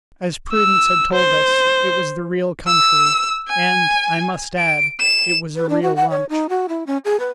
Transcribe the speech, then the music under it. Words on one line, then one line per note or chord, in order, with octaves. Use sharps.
As Prudence had told us, it was the real country, and, I must add, it was a real lunch.
E6
C5
E6
G#5
D7
E7
B4
D4
F#4
F#5
C#5
D#4
F#4
E4
C#4
G#4
B4